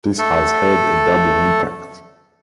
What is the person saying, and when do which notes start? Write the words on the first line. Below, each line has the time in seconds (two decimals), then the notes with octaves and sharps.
This has had a double impact.
0.19 A3 A4